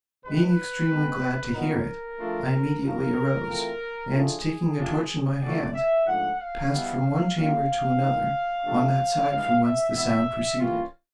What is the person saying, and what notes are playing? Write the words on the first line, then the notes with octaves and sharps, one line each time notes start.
Being extremely glad to hear it, I immediately arose, and taking a torch in my hand, passed from one chamber to another on that side from whence the sound proceeded.
C3 D#3 G#3 B4
B2 G#3 C4
A#2 F#3 B3 D#4 A#4
F3 A3 D4 F4
F#2 C#3 F3 A#4
E3 A3 C4 F4
A2 F3 A3 D4 F4 G#4
C3 F3 A#3 D4 F4
A2 F#3 A3 D4 F4 D5
E5
G#2 F3 A3 D4 F#5
F5
B2 G3 B3 E4
A#2 G3 A#3 C#4 E4 F5
D#3 G#3 C4 D#4
C3 F3 A3 D4
G2 E3 G#3 F5
E5
E3 G#3 B3 E5
E3 G3 A#3 C#4 F4